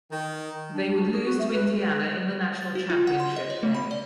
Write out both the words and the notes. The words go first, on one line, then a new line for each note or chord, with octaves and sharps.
They would lose to Indiana in the national championship game.
D#3
D4
F#4
G#4
F#4
A3
B4
A6
F#4
F4
F#5
C6
D#5
C#5
A3
B5
D5